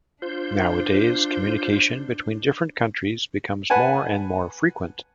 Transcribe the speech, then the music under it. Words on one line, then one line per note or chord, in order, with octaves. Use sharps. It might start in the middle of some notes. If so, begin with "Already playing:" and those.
Nowadays, communication between different countries becomes more and more frequent.
D4 F4 C5 G6
B4 F#5 G#5 A5